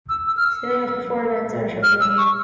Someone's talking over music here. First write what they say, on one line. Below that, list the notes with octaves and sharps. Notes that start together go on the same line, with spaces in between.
Standings after four events are shown below.
E6
E6
F6
E6
F6
E6
C#6